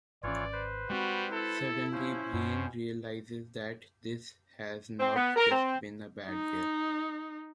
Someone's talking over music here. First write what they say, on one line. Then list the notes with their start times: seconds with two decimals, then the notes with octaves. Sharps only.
Suddenly Breen realizes that this has not just been a bad year.
0.23 G#1 E3 C#4 F4 C#5 D5
0.53 B4 C5
0.90 G3 G#3 C4 F#4
1.33 E4 A4
1.93 F3 C#4 C5
2.33 F#2 B2
5.00 C4
5.15 B3
5.36 A#4
5.50 C4
6.28 D#4